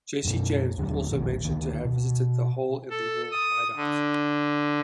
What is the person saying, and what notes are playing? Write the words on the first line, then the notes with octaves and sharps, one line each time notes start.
Jesse James was also mentioned to have visited the Hole-in-the-Wall hideout.
F#2 B2
D#2 D3 F3 F#3
E1 A#1 B2 D#3
D2 D#3
B2
A4
D#6
D3